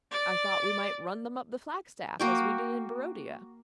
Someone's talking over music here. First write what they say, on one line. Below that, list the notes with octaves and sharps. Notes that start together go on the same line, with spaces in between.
"I thought we might run them up the flagstaff, as we did in Barodia."
D5
A#3 F#4 G5